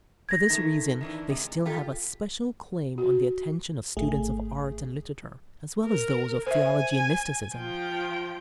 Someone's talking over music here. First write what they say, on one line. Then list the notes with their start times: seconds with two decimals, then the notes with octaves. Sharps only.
For this reason they still have a special claim on the attention of students of art and literature, as well as those of theology and mysticism.
0.29 G#6 A#6
0.50 D#3 A3
1.01 D#3 E3 D4
1.29 C3 G#3
1.66 F4 G4 A4
2.98 F#4
3.97 G#1 A3 G#4
5.85 A#4
6.47 C5 E5 G#5
7.55 F3 G5